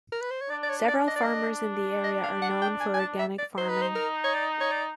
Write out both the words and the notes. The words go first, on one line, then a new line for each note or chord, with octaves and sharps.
Several farmers in the area are known for organic farming.
A#4
B4
C5
C#5
D4 D5
D5
C#5
D5
D#5
D5
D#5
D#5
F5
F#5
G5
G#5
G#5
A5
E5
D5
D#4 C5
B4
C5
A#4
C#5
D5
C#5
D5